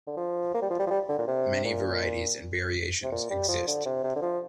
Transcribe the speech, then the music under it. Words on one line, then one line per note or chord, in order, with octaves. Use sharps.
Many varieties and variations exist.
D3
F3
A#3
G3
F3
G3
F3
G3
D3
A#2
C3
A#2
C3
A#2
G3
F3
D3
C3
C3
D3
F3